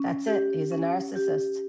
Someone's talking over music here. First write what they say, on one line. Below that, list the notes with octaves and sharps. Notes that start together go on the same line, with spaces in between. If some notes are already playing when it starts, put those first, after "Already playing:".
That's it, he's a narcissist.
Already playing: C#4
G4
C#4
G4